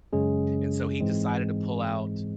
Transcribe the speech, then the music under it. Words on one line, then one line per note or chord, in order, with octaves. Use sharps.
and so, he decided to pull out
F#2 C#3 G#3 C#4 G#4
G#2 E3 G#3 C4